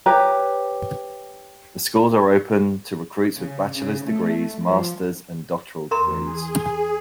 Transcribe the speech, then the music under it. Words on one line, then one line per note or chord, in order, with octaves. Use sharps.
The schools are open to recruits with bachelor's degrees, master's, and doctoral degrees.
G4 B4 C#5 A#5
C#3
C#3
A3
F3
E2 A#4 A#5 C6
G#4